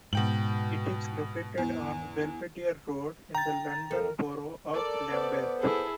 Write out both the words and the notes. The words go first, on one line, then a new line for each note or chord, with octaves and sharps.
It is located on Belvedere Road in the London Borough of Lambeth.
G#2 B2 G5 F#7
E2
G5 A#5 A6
F2 A4 A#4
A4 A#4 D5
B3 C5
E4 G#4 A4